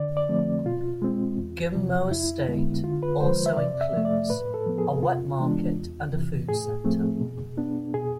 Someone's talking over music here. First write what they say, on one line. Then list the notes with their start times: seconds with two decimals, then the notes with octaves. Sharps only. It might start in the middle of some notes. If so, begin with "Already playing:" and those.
Ghim Moh estate also includes a wet market and a food centre.
Already playing: D3 D5
0.17 D5
0.29 F3 A3 C4
0.65 B2 F4
1.02 G#3 C4
1.38 E2
1.75 C3 F3
2.11 F2 E4
2.48 D3 G#3 B3
2.84 D3 F4
3.03 B4
3.20 F3 G#3 C5
3.46 E5
3.57 C3 D5
3.81 E5
3.93 F3 A3
4.05 D5
4.30 A2 B4
4.54 A4
4.66 F3 B3
4.78 G#4
5.03 C3 F4
5.39 E3 G#3 B3 D4
5.75 E2
6.12 C3 E3
6.48 A2 G#4
6.84 F3 A3 C4
7.21 B2
7.57 B3 D4
7.94 B2 G#4